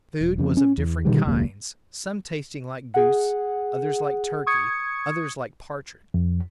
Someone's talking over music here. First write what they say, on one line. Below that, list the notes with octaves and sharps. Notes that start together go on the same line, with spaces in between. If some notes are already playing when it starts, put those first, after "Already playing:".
The food was of different kinds--some tasting like goose, others like turkey, others like partridge.
E1
F2 C#3
C#4
E2
B2 D3 D#3 G3
E1 C#2 F#2 A#3
G#4 F#5
C#6 D#6 G#6 C#7
F2